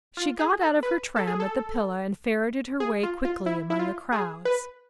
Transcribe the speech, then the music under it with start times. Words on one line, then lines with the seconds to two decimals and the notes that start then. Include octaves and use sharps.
She got out of her tram at the Pillar and ferreted her way quickly among the crowds.
0.17 F4
0.39 G#4
0.61 A4
0.83 B4
1.16 A4
1.27 G#4
1.40 A4
2.80 G#4
3.03 F4
3.25 F4
3.46 E4
3.70 E4
3.79 F4
4.12 G#4
4.45 B4